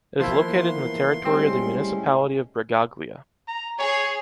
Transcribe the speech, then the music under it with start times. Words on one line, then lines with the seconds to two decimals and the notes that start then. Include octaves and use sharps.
It is located in the territory of the municipality of Bregaglia.
0.20 E3 F3 A#3 B3 E4 C6
1.25 A2 G3 G#3 C4 C#4
3.48 A#5
3.79 G#4 C#5